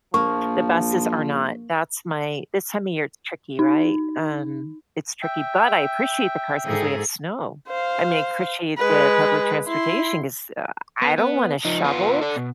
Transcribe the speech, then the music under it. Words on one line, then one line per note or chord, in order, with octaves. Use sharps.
the buses are not, that's my This time of year, it's tricky, right, um, it's tricky, but I appreciate the cars 'cause we have snow, I may appreciate the public transportation, 'cause, uh, I don't wanna shovel.
A#1 F3 A#3 C#6
D#4
E5 G5
G#2 G#4 A4
C5 F5
G#3 B4
E4 C6
B3
B3
F3 D#4
B3 F4
A4 D5
B2